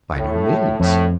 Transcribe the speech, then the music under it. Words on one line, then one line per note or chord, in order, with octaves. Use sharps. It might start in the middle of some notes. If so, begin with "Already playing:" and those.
"By no means."
A2
F2 A2 A3